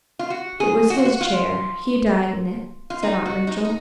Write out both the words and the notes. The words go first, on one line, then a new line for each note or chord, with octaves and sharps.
"It was his chair; he died in it," said Aunt Rachel.
F4
F#4
G#4
F#4
F4
F#4
F4
F4
D#4
F#4
D#4
D#4